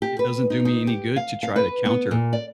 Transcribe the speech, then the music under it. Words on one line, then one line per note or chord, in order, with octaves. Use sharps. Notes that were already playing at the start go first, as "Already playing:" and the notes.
It doesn't do me any good to try to counter,
G4
B4
D#4
D#4
G4
F5
F5
B4
B3
A#2
D5